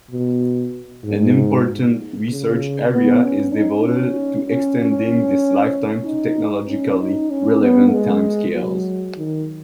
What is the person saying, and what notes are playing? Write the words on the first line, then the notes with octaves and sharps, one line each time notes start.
An important research area is devoted to extending this lifetime to technologically relevant timescales.
B2
G#2
C#3
B3
C#4
D#4
C#4
C#4
C#4
D#4
C#4
D#4
C#4
B3
G#3
F#3
D#3